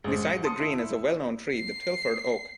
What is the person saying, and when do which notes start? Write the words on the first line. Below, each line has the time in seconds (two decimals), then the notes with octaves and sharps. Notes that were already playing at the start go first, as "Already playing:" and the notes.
Beside the green is a well-known tree, the Tilford Oak.
0.04 A1 G#3 C5
0.24 C#7
0.44 A5 C6 D#6
0.60 E4
0.79 E4
1.52 C7